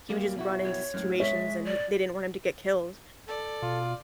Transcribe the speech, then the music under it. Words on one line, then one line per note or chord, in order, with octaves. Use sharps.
he would just run into situations and he they didn't want him to get killed.
G3 A#3
B2 E4 F#4
C#5
F#2 A2
G#3 C#5 E5
D5
A4 D5
B2 F4